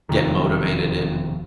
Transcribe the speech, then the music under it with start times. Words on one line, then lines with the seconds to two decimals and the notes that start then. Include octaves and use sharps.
get motivated in
0.09 E1 F2 C3 D#3